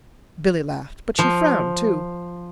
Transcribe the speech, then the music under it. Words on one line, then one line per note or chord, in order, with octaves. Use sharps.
Billy laughed, but she frowned, too.
F3